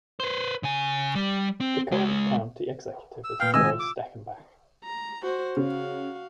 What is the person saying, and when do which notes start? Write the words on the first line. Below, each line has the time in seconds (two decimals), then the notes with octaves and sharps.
The current county executive is Troy Steckenbach.
0.20 B4 C5
0.63 C#3 G#5
1.15 G3
1.61 C4
1.91 C#3 G#3
3.24 E6
3.40 A#2 B4 F5 G5 F6
3.54 C3 D#3 G#3 D#5 G#5 E6
3.66 F4
3.80 D6
4.84 A#5
5.22 F#4 C5
5.57 C#3 F#4 F5